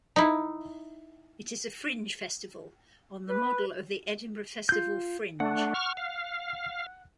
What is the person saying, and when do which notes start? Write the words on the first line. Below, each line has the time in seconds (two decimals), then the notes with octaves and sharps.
It is a fringe festival, on the model of the Edinburgh Festival Fringe.
0.16 D#4 E4
3.29 B4
4.69 F4 G6
5.40 A3 D4 F#5
5.74 C#6 F6
5.97 F5